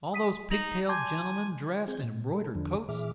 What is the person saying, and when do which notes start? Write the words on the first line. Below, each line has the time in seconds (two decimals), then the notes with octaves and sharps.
All those pigtailed gentlemen dressed in embroidered coats.
0.13 D#6 B6 D#7
0.51 D#4 A#6 F7 F#7
0.89 G#5 A5 C6 D6 G6 G#6
1.88 C4 G#4 G6 G#6
2.03 A#2
2.34 A4
2.55 E2 D3 F3 D4
2.89 A#2 E3 G#4 E5 D6 F6